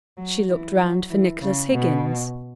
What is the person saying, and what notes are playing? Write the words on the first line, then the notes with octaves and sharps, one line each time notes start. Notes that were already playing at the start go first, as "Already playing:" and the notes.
She looked round for Nicholas Higgins.
F#3
E3
F#3
E3
C#3
B2